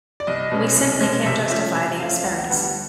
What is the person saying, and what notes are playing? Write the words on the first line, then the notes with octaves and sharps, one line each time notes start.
We simply can't justify the expense.
D5
C2 D#5
B2 G#3 C#4
C2
B2 G#3 C#4
C3 E5
F3 A3 C#4 E5
C3 E5
F3 A3 C#4 F5
D2 F#5
G5
D3 G3 B3 F#5